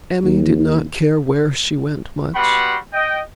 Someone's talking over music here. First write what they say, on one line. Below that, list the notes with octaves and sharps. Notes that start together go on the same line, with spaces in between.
Emmy did not care where she went much.
D#2
G3 B3 F#4 F#5 B5 C6
D#5 G5